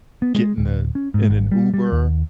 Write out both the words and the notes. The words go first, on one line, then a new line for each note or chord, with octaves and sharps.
get in the in an Uber,
B3
G#3
D1
C#4
G#2
G#1
G3
G3
D#2